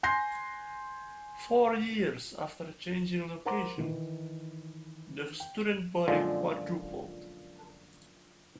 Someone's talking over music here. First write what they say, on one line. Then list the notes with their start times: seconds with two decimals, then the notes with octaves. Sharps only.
Four years after changing locations, the student body quadrupled.
0.03 G#5 C6 G6 A#6 C7
3.45 A#4 C5 F#5 A#5 C6 D6
3.78 D#3 E3 D#4
5.40 G5
6.08 F#2 A#2 D3 F3 G#3